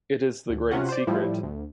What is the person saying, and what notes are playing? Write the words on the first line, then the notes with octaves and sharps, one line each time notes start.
It is the Great Secret.
D2
C3 C#4 F4 F#4 F#5
C5 D5
A2 F3 G3 E4
D2